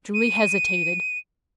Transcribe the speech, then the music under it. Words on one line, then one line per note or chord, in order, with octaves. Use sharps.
Julie hesitated.
D#7